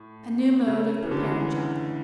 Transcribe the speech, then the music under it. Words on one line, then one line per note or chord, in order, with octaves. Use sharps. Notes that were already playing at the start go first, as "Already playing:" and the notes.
A New Mode of Preparing Chocolate.
Already playing: A2
C#3
E3
D3
C#3
D3
E3